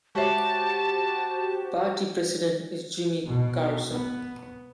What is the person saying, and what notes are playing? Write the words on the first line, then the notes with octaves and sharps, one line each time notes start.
Party president is Jimmy Karlsson.
G#3 F#4 G4 C5 C#5 E5 A5
B2
B3